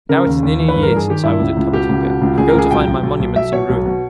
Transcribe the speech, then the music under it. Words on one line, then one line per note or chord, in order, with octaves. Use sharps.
Now it is nearly a year since I was at Tabatinga; I go to find my monuments in ruin!
C#3 A#4
D#2
D#2
E3
B4
G1
A#4
G2 G#4
D#3 G4
G2 E4
C#2
C#2
B2 G4
C#2
B2
C#2
C#2 G#4
A#4
C#2 G#4
B1 G5
B1
B1
B1
B1 E5
B2 C#5
B1
B2